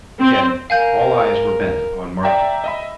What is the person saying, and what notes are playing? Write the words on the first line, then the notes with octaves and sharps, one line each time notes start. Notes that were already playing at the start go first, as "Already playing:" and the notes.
Again all eyes were bent upon Margaret.
C4
A#4 F5 G#5 G6
D5 E5 G5 A#5
D#5 E5 B5